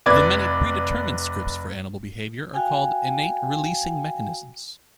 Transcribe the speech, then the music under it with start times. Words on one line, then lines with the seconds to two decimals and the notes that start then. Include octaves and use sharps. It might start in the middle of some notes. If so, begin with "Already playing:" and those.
The many predetermined scripts for animal behavior are called innate releasing mechanisms.
0.06 F1 B4 D5 G#6
2.54 F#4 F5 G5 G#5